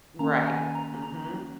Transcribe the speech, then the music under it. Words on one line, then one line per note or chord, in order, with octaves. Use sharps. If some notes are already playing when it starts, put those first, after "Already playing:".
Right. Mhm.
D#3 A#3 C#4 A#5
G#5
A#5
A#5